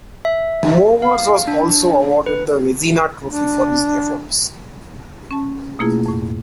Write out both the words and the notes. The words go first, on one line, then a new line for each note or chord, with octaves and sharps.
Mowers was also awarded the Vezina Trophy for his efforts.
E5
F5
D4
B4
D4
C#4 A5
B2 A3 A#3 E4 F4 G#4
F2 A2